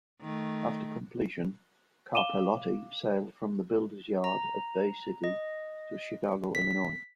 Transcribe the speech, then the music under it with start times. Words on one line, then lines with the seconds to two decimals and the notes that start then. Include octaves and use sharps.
After completion, "Carpellotti" sailed from the builder's yard at Bay City to Chicago, Illinois.
0.21 D#3 A3
2.13 F5 D6 D#7 E7 G7
4.24 A#5
5.24 D#5
6.55 B6